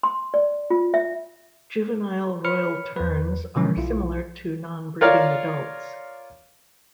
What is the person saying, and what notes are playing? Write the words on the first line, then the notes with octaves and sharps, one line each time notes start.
Juvenile royal terns are similar to non-breeding adults.
C6
D5
F4
E5
B4 C#5 B5 F6 C#7
E2 B4
B2 D3 F3 F#3 G#3 C#4
B1 E4 F4
F4 A#4 C#5 D5 F5